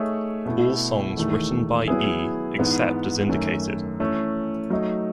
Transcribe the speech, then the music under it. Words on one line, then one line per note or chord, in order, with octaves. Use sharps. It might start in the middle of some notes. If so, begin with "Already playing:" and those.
All songs written by E, except as indicated.
Already playing: A3 D#4 G#4 C#5 E5
B2 A3 E4
E2 D#3 A3
F#3 B3 E4 G#4
G#2 E3 B3
F#2 D#3 A3
E3 A3 C#4
F#3 A3 D#4